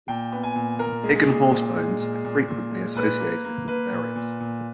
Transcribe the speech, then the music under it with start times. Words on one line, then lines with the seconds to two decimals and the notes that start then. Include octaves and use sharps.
Pig and horse bones are frequently associated with the burials.
0.08 A#2 G5
0.32 B3
0.43 G#5
0.56 A#2
0.79 A#2 A#4
1.03 G#3
1.16 G#4
1.28 A#2
1.52 A#2
1.76 G#3
2.00 A#2
2.25 A#2
2.48 A#2
2.71 G#3
2.95 A#2 B4
3.20 A#3
3.45 A#3
3.68 A#3 B4
3.92 A#2
4.16 A#2
4.40 A#2